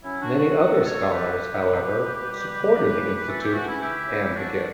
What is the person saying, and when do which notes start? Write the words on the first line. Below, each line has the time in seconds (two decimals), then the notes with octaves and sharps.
Many other scholars, however, supported the institute and the gift.
0.03 F#3 C#4 E4
0.21 D4 F#4
0.30 F#3
0.39 D4 F#4
0.57 B2 F#4 A4
0.84 F#3 A4 C#5
1.11 B2 G4 B4
1.38 B2
1.65 B2
1.92 B2
2.19 G3
2.46 C#3
2.73 C#3
3.01 G3
3.27 E3 F#4 A4
3.41 E4 G4
3.53 E3 D4 F#4
3.67 C#4 E4
3.81 C#3 E4 G4
4.08 C#3
4.34 G3 D4 F#4